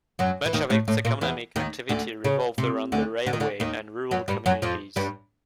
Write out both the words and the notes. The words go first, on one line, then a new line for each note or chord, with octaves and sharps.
Much of its economic activity revolved around the railway and rural communities.
F#2 F#3
E3
D#2 D#3
A2 A3
A2 A3
A#2 A#3
E2 E3
D#2 D#3
D2 D3
C#3
C3
D2 D3
D3
D#3
D2 D3
D#2 D#3
F#2 F#3
G2 G3
F#2 F#3
F2 F3
G2 G3